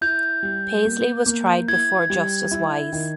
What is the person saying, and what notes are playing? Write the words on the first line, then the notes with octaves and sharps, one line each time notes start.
Peisley was tried before Justice Wise.
E4 G6
G3
A#3
A#3
E4 G#6
G3
E4
D#3